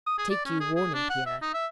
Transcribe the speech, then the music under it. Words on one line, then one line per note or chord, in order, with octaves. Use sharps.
Take you warning, Pierre!
D#6
G#4
D5
C#4
G#4
G#4
D4
F#5
E5
D#4
E5